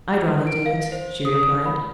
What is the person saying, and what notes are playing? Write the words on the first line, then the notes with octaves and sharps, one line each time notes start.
"I'd rather do it," she replied.
D7
F5
C5
D#6
B5